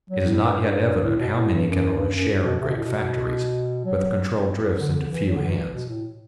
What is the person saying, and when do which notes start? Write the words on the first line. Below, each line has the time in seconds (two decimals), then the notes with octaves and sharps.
It is not yet evident how many can own a share in great factories, but the control drifts into few hands.
0.10 F#3
0.25 A2
0.41 G2
0.57 G2
0.93 G2
1.04 A2
1.20 B2
1.35 A2
1.55 G2
1.67 F#2
1.97 G2
2.07 G2
2.13 F#2
2.28 G2
2.44 B2
2.61 C3
2.69 B2
2.76 A2
2.84 B2
3.85 F#3
4.01 F#3
4.80 D3
4.95 D3
5.06 D3
5.10 E3
5.26 F#3
5.36 D3
5.42 E3
5.74 B2
5.89 A2